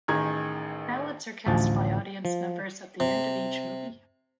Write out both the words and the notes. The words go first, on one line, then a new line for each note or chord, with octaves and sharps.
Ballots are cast by audience members at the end of each movie.
A1 D#3 G#4 A#5 G#6
A1 D2 F3 A5
F3
C3